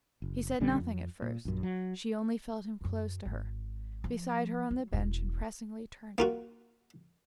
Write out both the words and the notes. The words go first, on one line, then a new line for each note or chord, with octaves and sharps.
He said nothing at first; she only felt him close to her--beside her on the bench and pressingly turned to her.
F#1
A#1 D3 G3 C#4
F2
A#2
A#1 F#2
F#3
F#2 E3
G#1
F3
F#3
E1 E4
A#3 F4 F#4